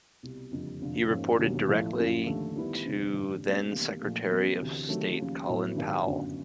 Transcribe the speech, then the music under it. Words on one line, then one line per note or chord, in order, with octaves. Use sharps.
He reported directly to then Secretary of State Colin Powell.
C2 B2 G3
F#1 F2 D3 G3
F1 F2 D3 F3
G#2 F3 A#3 C#4
E1 D#2 D3 F#3
A1 A2 F3 A3
F#2 C#3 F3
D#2 D3 F3 A3
D#3 G3 B3 E4
F1 F2 D3 G3 C4
A1 G2 D3
B2 F#3 A3 C#4
E2 C3 D#3 G3 A#3
A#1 A#2 F3 A3
E2 C#3 F#3 B3
D2 C3 E3
C3 D#3 F#3 A3
D#2 C#3 F3
A2 F#3 B3
G#1 G2 D#3
G1 F#2 D3